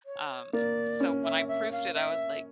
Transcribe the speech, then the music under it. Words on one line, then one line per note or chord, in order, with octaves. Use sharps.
um, so when I proofed it, I was like,
C#5
A#3 D5
C#4
E5
E5
F5
E5